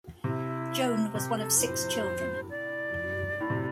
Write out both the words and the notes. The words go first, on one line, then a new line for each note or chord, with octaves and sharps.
Joan was one of six children.
C3 E4
C3 G4
A4
A2 C5
D5
A2
C3